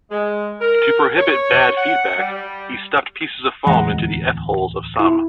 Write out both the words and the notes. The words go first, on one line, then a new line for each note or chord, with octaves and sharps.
To prohibit "bad feedback", he stuffed pieces of foam into the F-holes of some.
G#3
A#4
C#5
F#5
G3
D1 E2 G#3 F#5 A#5
E4